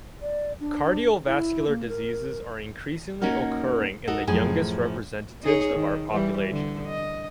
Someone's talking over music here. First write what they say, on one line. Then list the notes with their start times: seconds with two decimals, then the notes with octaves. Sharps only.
Cardiovascular diseases are increasingly occurring in the youngest representatives of our population.
0.22 D5
0.60 D4
1.26 E4
1.68 A#3
1.89 A#4
3.22 A#3 C#4 D#4 F#4 A#4
4.07 D#4 F#4 A4 A#4
4.27 F#2 A2 F3 G#4 G#5
5.42 D#4 G#4 C#5
5.74 D#3
6.11 E3 G3
6.52 D3
6.87 D#5